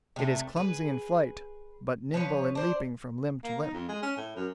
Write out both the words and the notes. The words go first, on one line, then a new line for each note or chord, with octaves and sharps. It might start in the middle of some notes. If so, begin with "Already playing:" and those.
It is clumsy in flight, but nimble in leaping from limb to limb.
C3 A3
G#4 B4
F3 B4 C#5
D4 C5
A#3
D#4
F2
G#3
C#4
A2
F#2